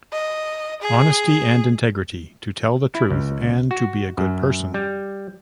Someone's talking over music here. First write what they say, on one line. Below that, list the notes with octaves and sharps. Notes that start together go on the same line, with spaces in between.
Honesty and Integrity: To tell the truth and be a good person.
D#5
G#4
E4
C#2
F#4
F#2
G3